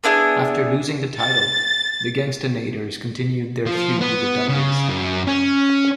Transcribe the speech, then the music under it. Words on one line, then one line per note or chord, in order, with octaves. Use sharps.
After losing the title, The Gangstanators continued their feud with the Dudleys.
B3 D4 E4 G#4
A6
F3
B3
C#3
F#2
C#4